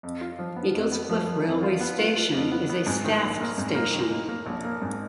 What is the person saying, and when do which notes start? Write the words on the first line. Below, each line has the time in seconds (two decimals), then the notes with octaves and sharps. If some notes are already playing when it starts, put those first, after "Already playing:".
Eaglescliffe railway station is a staffed station.
0.03 F2
0.21 F4
0.39 F3
0.56 B3
0.74 F2
0.92 B3
1.09 F3
1.27 F3
1.45 F2
1.63 F4
1.81 B3
1.98 F4
2.16 F4
2.34 F2
2.52 B3
2.69 B3
2.87 G#2
3.04 D#3
3.22 A#1
3.40 A#3
3.58 G#2
3.75 A#3
3.93 D#3
4.11 A#3
4.29 A#3
4.46 A#1
4.64 A#3
4.82 G#2